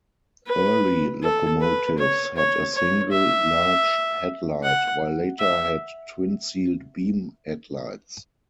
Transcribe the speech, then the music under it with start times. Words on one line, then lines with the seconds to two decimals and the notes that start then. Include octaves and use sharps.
Early locomotives had a single large headlight, while later had twin sealed-beam headlights.
0.46 B4
1.22 A4
1.61 B4
1.98 C#5
2.36 C#5
2.75 C#5
3.12 E5
4.63 F#5
5.40 E5